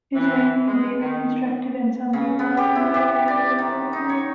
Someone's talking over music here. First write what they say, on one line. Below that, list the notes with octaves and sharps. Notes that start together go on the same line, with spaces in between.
His reign can be reconstructed in some detail from a variety of sources.
E3
G#3
D#3
C#3
B3
G4
E4
G4
D5
D#3
D#4
C#5